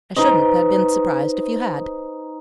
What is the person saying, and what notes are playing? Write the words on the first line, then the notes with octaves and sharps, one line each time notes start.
I shouldn't have been surprised if you had.
D#4 B4 C5 D#5